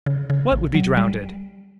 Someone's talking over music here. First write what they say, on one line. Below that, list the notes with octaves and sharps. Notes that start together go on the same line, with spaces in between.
"What would be drownded?"
C#3
C#3
A1
F#3
G3